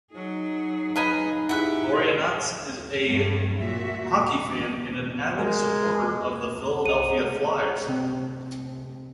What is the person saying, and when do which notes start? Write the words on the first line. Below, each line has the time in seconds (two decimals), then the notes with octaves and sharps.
Boreanaz is a hockey fan and an avid supporter of the Philadelphia Flyers.
0.13 F#3 D#4 G#4
0.96 B4 D#5 F5 G#5 A#5 B5
1.49 E4 G4 G#4 E5 F#5 F#6
3.05 G2 F#3 G3 A3
3.57 A#2 F#4 E5
5.38 G#3 A#4
6.86 C2 D#5 F#5 D#7
7.09 G#4
7.88 C3 C4